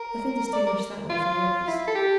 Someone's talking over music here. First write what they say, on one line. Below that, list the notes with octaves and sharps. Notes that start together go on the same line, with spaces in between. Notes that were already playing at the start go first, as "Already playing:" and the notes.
Nothing distinguished that one from the others.
Already playing: A#4
D5
A#4
F4
E4
A4
G4